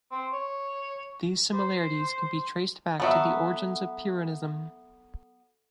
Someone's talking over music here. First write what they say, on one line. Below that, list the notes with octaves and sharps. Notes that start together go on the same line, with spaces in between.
These similarities can be traced back to the origins of Pyrrhonism.
C4
C#5
C5
F#3 B3 A4 E5